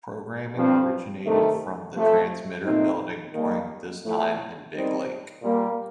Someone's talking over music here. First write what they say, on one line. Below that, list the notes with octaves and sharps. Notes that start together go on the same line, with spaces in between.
Programming originated from the transmitter building during this time in Big Lake.
G2 F3 C4
C3 D#3 A3
C3 F3 A3
A#2 A3 C4 D#4
D#3 G3 A#3
A2 F3 A3
D#3 G3 C4 D#4
A#2 G3 A#3